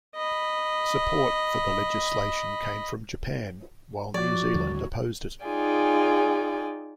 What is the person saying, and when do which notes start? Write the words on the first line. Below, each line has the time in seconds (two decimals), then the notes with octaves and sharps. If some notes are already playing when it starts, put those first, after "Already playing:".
Support for the legislation came from Japan, while New Zealand opposed it.
0.16 D#5 B5
4.14 F3 F#4 C#5 D5
4.55 D#2 D3 G3
5.45 D#4 F4 G#4 D5 G5 G#5